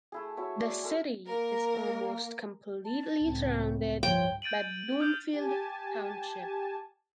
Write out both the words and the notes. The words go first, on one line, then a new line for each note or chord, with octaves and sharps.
The city is almost completely surrounded by Bloomfield Township.
A3 E4 G#4
E4 F#4 C#5 E5
D5
G#3 A4 A#4
A#3 A#4
A5
C#2 A2 C4
G2 F3 C#5 G5
G6 A6 D7 D#7 F#7
D#6 F6 G6 D7
G4 G#5 A5